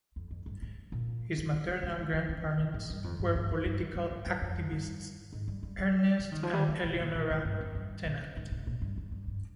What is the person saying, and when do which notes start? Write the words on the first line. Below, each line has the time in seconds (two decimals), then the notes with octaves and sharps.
His maternal grandparents were political activists Ernest and Eleonora Tennant.
0.16 F2
0.31 F2
0.46 G2
0.62 G#2
0.92 A#2
1.38 C#3
1.53 F3
1.69 G3
1.83 G#3
1.98 G#3
2.14 F3
2.29 C#3
2.59 C3
2.74 G#2
2.90 G2
3.04 F2
3.20 G2
3.35 G2
3.51 G2
3.65 G2
3.95 G2
4.11 G#2
4.26 G#2
4.41 F2
4.72 G2
5.33 G#2
5.48 G3
5.63 G3
5.79 F3
6.19 C#3
6.32 D#3
6.43 F3
6.53 G3
6.69 F3
6.84 A#2
6.93 C3
7.00 A#2
7.15 A#2
7.30 G#2
7.45 G2
7.61 F2
7.75 G2
8.06 A#2
8.21 C3
8.37 G#2
8.52 C3
8.67 A#2
8.82 G2
8.98 F2
9.12 G2
9.27 G2